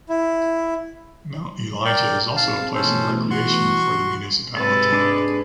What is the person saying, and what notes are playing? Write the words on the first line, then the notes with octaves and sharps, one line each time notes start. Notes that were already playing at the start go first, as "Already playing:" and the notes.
Mount Elijah is also a place of recreation for the municipality.
E4
A#4 D5 G5
C4 D#4 G#4 F5 A5
B2 E3 A3 C#4 A4 C5
F#4 C6 C#6
G#2 C3 G#3 A4 B4
D4 G#4 D6